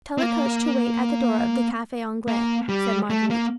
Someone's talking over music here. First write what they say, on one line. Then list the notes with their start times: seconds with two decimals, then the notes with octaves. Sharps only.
"Tell the coachman to wait at the door of the Cafe' Anglais," said Marguerite.
0.18 C4
0.23 A#3
2.28 A#3
2.69 G3
3.10 A3
3.30 A#3